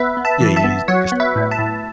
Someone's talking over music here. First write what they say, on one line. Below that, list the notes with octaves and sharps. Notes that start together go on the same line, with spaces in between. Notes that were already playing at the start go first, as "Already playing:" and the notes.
Yeah. You used to go step back.
Already playing: B3 B4 E5
B3
E5 A5
E3
E5 A5
B3
F#3 C#5 F#5
B3
B4 E5
A2
E5 A5
A2